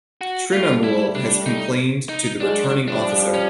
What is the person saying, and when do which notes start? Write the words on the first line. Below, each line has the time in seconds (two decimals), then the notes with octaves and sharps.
Trinamool has complained to the Returning Officer.
0.21 F#4
0.52 G3 A3 F4
0.84 E4
1.15 D4
1.46 D#4
2.09 D#4
2.40 F#3 G#3 D4
2.88 F3 G3 D4
3.34 C#4